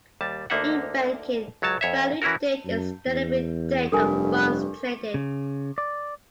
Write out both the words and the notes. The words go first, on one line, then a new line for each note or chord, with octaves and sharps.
In banking, value date is the delivery date of funds traded.
D#2 G3 A5
D2 D3 A#3 D#4 E5 F#5
C#2 F#3 C#5 A5
F2 C#5 E5
E3 C#4 E4 F#4 A#4
F#2
E2
F1 G2 A4 A#4 G#5
C#3
D5